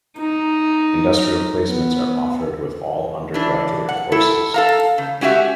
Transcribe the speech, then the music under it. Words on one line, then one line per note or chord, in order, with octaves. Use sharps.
Industrial placements are offered with all undergraduate courses.
D#4
B3
E3 D4
F#5
E4 A4
A4 F5 A#5
C#3
G#3 C#4 F#4 G4 E5